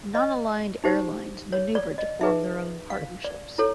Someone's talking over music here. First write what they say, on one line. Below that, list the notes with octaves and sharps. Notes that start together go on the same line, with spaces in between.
Non-aligned airlines maneuvered to form their own partnerships.
D#5
D#4 G4 C5
C#5
D5
D#5
D#4 G#4 B4 E5
F5
D5
E4 A4 C#5